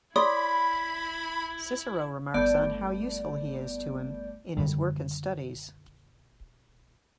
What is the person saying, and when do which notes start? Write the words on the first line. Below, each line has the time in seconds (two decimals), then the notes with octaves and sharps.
Cicero remarks on how useful he is to him in his work and studies.
0.16 E4 C#5 D5 B5 C6 D#6
2.34 G1 A3 B3 D5 G6
4.57 F#2 D3 D#3 G3